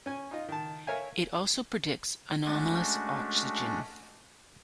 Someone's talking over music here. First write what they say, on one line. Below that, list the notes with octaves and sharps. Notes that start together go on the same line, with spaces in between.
It also predicts anomalous oxygen.
C#4 G#5
D#4 F4 D#5
D#3 A5
A#4 C#5 E5 F5 G#5
G#3 A3 C#4 D4 F#4